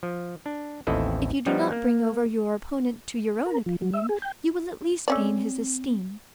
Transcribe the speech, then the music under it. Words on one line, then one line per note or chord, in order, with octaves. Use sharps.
If you do not bring over your opponent to your own opinion, you will at least gain his esteem.
F3
D4
A1 D#2 C4 E4 A4 D#5
F3 G3 B3 D#4
A#3
A#4
F3
F#3
E5
G#4
G5
A3 C4 C#4 D5